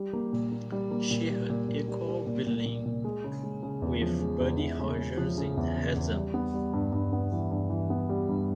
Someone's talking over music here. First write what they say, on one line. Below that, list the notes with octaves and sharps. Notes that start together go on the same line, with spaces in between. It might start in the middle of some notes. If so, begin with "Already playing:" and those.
She had equal billing with Buddy Rogers in Heads Up!
Already playing: G3
A#3
A#2
A#3
G3
A#3
A#2
G3
A#2
A#2
G3
G3
A#2
A#2
A#2
A#2
G#3
C#3
G#3
C#3
E2
F3
G#3
E2
E2
C#3
G#3
F3
C#3
E2
C#3
E2
G3
B3
G3
G2
G2
B3
E3
G2
E3
B3
G3
G2